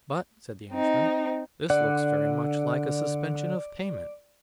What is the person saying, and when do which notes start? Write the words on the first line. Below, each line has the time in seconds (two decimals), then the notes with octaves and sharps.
"But," said the Englishman, "this looks very much like a suspension of payment."
0.70 C4 D#4
1.70 D3 D5 F#5